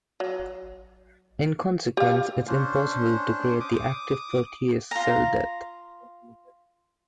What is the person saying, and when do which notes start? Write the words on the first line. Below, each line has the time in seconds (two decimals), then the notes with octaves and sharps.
In consequence it's impossible to create the active protease cell death.
0.20 F#3
1.97 G4 F5
2.48 C#4 D4 C5
3.60 D6 D#6
4.91 F4 A#5